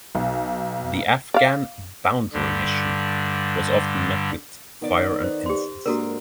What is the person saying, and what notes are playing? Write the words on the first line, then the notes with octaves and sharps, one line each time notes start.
The Afghan Boundary Mission was often met with fire and incense.
B1
D5 F5
G2 D3 G3
D#3 B3 D5
C5
G4 C6
G#2 A#3 D4 F#4 A4 A#4